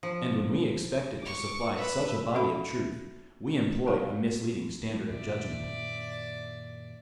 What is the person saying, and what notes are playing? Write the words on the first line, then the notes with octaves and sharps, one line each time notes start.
And when we expect it to supply such a body of truth we employ a misleading standard of judgment.
F3
C#6 D6
B4 E5 B5
C#4 F#4 A4 E5 B5
G3 D#4 G4 F5
F#2 A#2 D#3 D5 E5